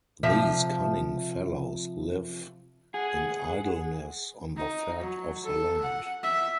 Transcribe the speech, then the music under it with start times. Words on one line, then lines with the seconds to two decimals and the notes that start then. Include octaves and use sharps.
These cunning fellows live in idleness on the fat of the land.
0.23 C3 F3 E5
2.94 G#4 F#5
4.57 D#4
4.99 F#3
5.44 A4
5.83 F#5
6.23 E5